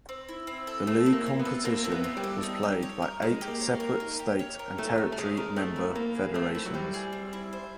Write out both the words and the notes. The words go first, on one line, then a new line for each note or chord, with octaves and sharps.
The league competition was played by eight separate state and territory member federations.
C4
E4
C4
A4
A3 C4
E4
A#3
C4
B3
A4
A#3 C4
E4
B3
C4
G3
A4
D#4
G4
C#5
A#4
G#3 D#4
G4
A#3
C#5
A#3
A#4
D#4
G4
C#5
A#4
A3 D#4
G4
A3
G#3 C#5
A#4
A3 C4
E4
A#3 C5
G#4
A3 C4
E4
F#3
G3 C5
G#4
C4
E4
C5